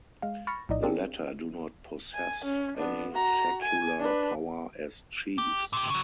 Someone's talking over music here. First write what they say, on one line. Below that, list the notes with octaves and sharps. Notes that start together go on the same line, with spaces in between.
The latter do not possess any secular power as chiefs.
G#3 F5
B5 C#6 F6 A6 A#6 C#7
A#1 A2 D#4 D5 D#5
C4 D4 F4 G#4 A#4 D5
G#5
C#4
B3 D4
F#4 A#5
G#5
D4 B4
G4
A#2 G4
C#3 F#3